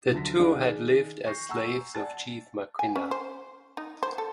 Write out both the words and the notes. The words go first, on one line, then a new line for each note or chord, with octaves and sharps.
The two had lived as slaves of Chief Maquinna.
D2 D3 F#3 A#6 B6
D#3 D4 G#4 F5
C#6 G6 A#6 C7
F#5 G#5 A#5 C#6 E6
D5 F#5 G#5 A5 A6
G#5
C#4
C5
D#4
C5
A4